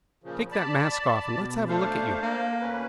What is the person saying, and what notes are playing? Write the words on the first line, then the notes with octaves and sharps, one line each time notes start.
"Take that mask off and let's have a look at you."
A#2 C#3 F3
D5 A5 B5
B2
A3 D4 C5 F5
A#3
D2 C#4 B4